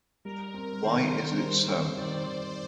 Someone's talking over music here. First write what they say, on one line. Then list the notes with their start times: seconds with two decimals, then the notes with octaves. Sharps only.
Why is it so?
0.25 G3 A#4
0.54 C4
0.82 D#3 C5
1.11 D#3
1.40 G3
1.69 C4
1.97 D#3 D5
2.26 D#3